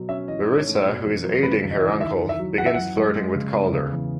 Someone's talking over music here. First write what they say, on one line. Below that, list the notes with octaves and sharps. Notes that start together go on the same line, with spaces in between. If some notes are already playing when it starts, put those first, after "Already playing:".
Marisa, who is aiding her uncle, begins flirting with Calder.
Already playing: B2 F#3
C#4 E5
E3 D#5
G#2
C#5
A3
B2
E2
F#3
C#3 B4
D#2
D#5
E3
D#3 E5
D#2
E5
F#3
E3 F#5
E5
F#2 F#5
G#3
G#3
C#3
B3
C#3
E2